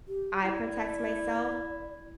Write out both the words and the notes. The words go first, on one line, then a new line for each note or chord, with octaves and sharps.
I protect myself.
G4
E4 D5